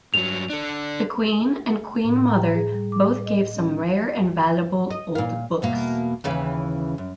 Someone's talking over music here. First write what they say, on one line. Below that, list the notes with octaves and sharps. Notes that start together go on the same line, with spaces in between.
The Queen and Queen Mother both gave some rare and valuable old books.
G2 F#3 F7
D4 A4
A2
A#5
G#4
G3
D6
D#5
C#4
D#5
A#2 F5
E2 B2 A#3
D#2 C#3 E3
F#2